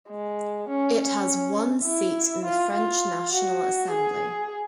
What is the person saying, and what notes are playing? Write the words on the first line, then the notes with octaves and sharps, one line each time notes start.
It has one seat in the French National Assembly.
G#3
C#4
C#4
E4
F4
F4
F#4
G#4